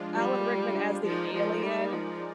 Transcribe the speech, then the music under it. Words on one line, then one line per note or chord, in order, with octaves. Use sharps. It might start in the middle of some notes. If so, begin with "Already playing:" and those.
Alan Rickman as the alien,
Already playing: F3 G#3 D4 F4
G3
F3 G#3 D#4 A#4 D5
F3
G3
F3